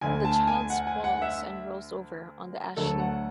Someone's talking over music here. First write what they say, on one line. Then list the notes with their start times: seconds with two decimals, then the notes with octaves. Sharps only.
The child squalls and rolls over on the ash-heap.
0.01 D2 D3 A3 G#5
0.25 A5
0.47 G#5
0.70 F#5
0.87 G#5
1.04 F#5
1.22 E5
2.76 D2 D3 F#3 A3 A4
3.00 F#5